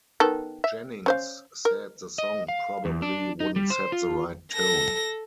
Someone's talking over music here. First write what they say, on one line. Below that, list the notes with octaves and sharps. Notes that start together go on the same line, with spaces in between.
Jennings said the song "probably wouldn't set the right tone".
D#3 B3 A4
E5
C#4 C5 F5
A#4
D#5
F5
E2
D4
D#4
G3
C5
F4
A4 A#6